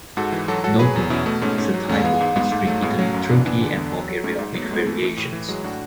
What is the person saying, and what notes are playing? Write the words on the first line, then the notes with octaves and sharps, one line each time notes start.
Nokul is a type of pastry eaten in Turkey and Bulgaria with variations.
G#2 F#4 A4
E3
F#3 F#4 A4
F#3 F#4 A4
F#3 G#4 B4
E2
B2 C#4 E4
B2 A3
G#2 A3 C#4
G#2 A3 C#4
F#3
E2 A3 C#4
E3 G#3 B3
G#2
G#2 G#3 B3
G#2 A3
F#3 A3
A2 G#3 B3
F#3 A3 C#4
F#2
E3 B3 D4
E3 B3 D4
D3
E2
F#3
F#3
G#2 A3 C#4
G#2
F#3 B3
A3
G#2 G#3 B3
E3 A3
E3 A3
A2
E3
F#3 G#3
A2 D4 F#4